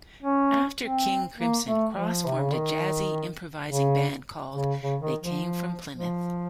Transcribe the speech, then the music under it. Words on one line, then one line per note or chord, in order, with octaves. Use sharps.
After King Crimson, Cross formed a jazzy improvising band called They Came from Plymouth.
C#4
C4
A#3
A3
F3
C3
C#3
D#3
C#3
C#3
C#3
D#3
F3
F3